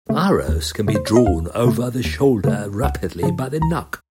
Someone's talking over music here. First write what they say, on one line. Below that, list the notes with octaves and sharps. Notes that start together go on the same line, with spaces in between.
Arrows can be drawn over the shoulder rapidly by the nock.
C#3 A3
D#2
C#3 A3
C5
C#5
D#5
D#2 F5
C#3 A3
D#2
C#3 A3
C#2 F#5
C#3 F3 A5
C#2 A#5